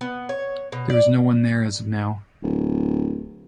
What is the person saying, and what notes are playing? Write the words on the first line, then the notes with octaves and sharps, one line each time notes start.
There is no one there as of now.
B3
C#5
B2
D5
D1